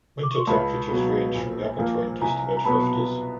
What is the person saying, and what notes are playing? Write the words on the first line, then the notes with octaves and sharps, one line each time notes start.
Winter temperatures range from the upper twenties to mid fifties.
D6
C#6
C6
C#2 A5 B5
B2 F#3
A#1
A#2 F3 A#3
C2 G#5 A#5
A#5
B2 F#3 B3 A5 B5